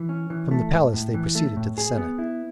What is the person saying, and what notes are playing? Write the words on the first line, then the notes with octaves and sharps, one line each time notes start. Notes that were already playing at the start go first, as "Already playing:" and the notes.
From the palace they proceeded to the senate.
Already playing: E3
C#4
E3
A3
G#2
A2
E3
A3
A2
G#4
B3
E4